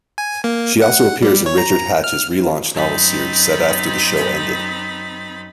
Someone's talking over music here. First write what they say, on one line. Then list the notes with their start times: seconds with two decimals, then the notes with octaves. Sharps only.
She also appears in Richard Hatch's re-launch novel series set after the show ended.
0.18 G#5
0.44 A#3
0.82 F#5
1.22 G3
1.46 C#5
1.58 A#5
2.04 F6
2.73 F#2 C4 D#4 B5 A6